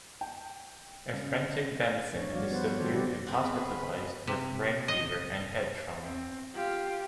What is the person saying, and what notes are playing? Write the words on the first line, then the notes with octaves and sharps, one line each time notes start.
A frantic Benson is subdued and hospitalized with "brain fever" and head trauma.
G5
C#3
D4 C#5
F3 G3 F#4 C#5 D5 F5
G3 B3 B4 C5 F#5
D#3 E4 G4 A4 C5 D5
G3 G4 C5 D5
B3 C4 G#4 B4
C3
D#5
C4
F4 G4